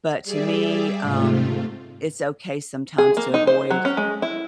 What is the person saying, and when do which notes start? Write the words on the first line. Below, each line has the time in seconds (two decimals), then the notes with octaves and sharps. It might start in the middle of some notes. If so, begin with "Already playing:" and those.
but to me, um, it's okay sometimes to avoid
0.23 G3 G#4 D5 E5
1.01 G#2 C3 A3 F4
2.98 G#4
3.17 A#3
3.34 D#4
3.47 C5
3.70 F#3
3.85 C#4
3.97 G#3
4.22 E4